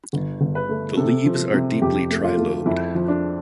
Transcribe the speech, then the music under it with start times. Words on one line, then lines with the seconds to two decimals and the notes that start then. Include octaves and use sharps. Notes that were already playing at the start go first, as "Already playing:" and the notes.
The leaves are deeply trilobed.
0.13 G1
0.41 G1
0.55 B4
0.69 A3
0.97 C3 A4
1.25 F3
1.53 C3
1.82 F2 G4
2.10 A3
2.24 F4
2.38 A3
2.66 F2 E4
2.95 F3
3.08 D4